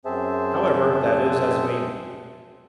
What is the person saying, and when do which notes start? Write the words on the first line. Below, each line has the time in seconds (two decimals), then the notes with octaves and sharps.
However, that is as may be.
0.05 F#2 C4 G#4 C5 E5 A5